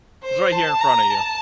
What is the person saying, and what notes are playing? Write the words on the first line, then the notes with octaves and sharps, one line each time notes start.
"It's right here in front of you.
C5
A5
A#5
A5